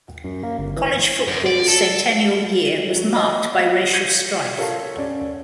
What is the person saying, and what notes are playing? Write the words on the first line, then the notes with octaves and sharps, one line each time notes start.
College football's centennial year was marked by racial strife.
F#2
A#3
G1
E3
F#2
D5
A4
A4
F#3
D#5
D#5 F5
G6 G#6 B6 C#7 D#7 G7
F4 A4 A#4 C#5
C#4 D5